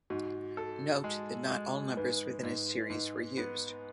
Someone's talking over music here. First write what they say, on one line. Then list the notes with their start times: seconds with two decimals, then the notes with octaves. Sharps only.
Note that not all numbers within a series were used.
0.10 G#2 F#4
0.57 A4
1.04 G#3
1.50 G#3
1.97 G#2 B4
2.43 G#2
2.90 G#2
3.37 B3